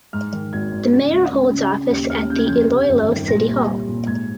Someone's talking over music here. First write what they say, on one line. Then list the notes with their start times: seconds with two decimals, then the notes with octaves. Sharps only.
The mayor holds office at the Iloilo City Hall.
0.13 G#2 F6
0.33 D#3
0.53 G#1 G#6
0.72 G#1
0.93 C#3
1.12 C#2
1.31 C#2
1.51 C#3
1.72 C#3
1.90 D#2
2.10 D#2 F6
2.30 C#3 G6
2.38 G#6
2.47 F2 G6
2.70 C3
2.89 G1
3.09 D#3
3.28 A#2 A#6
3.48 C2
3.68 C2
3.88 A#2
4.06 G#2 G#6